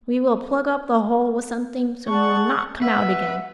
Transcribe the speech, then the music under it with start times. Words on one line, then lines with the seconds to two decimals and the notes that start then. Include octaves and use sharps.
"We will plug up the hole with something, so he will not come out again!"
2.07 G#4 D5 F#5 A5 C#6
2.82 B4 E5 F#5